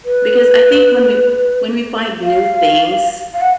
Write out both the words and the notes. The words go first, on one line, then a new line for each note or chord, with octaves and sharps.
because I think when we f when we find new things
B4
F5
F5
F#5